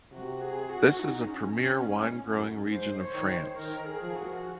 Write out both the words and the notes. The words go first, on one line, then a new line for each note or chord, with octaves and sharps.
This is a premier wine-growing region of France.
C3 F#4
G#4
F#4
D#4
C#4
C#4
G#2 C#4
F#2
G#2 C5
C#5
D#3
C5
D#3 A#4
G#4
F3
F#4